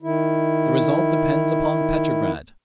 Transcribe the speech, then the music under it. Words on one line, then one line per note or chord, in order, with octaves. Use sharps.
The result depends upon Petrograd.
D#3 E4